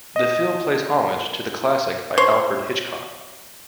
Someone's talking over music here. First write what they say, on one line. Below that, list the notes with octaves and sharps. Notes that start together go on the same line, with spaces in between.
The film plays homage to the classic by Alfred Hitchcock.
D#5
C5 C#5